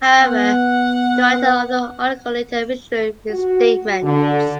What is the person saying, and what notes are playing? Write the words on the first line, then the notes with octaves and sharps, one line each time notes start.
However, the writer of the article later withdrew his statements.
B3 F#5
F#4
D3